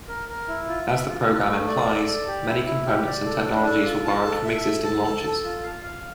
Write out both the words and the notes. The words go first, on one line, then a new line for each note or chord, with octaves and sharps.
As the program implies, many components and technologies were borrowed from existing launchers.
A#4
A#4
E4
F4
E5
F4
F4
A3
D5
A4
D5
G4
E4
E4
G4
D5
A4
D4
A4
F4
A5
A4
E5
A4
A5
A4
A4
F4
F5
F5